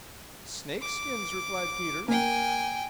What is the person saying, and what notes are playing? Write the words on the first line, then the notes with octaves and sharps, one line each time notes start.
"Snake skins," replied Peter.
D6
A#3 G5 G#5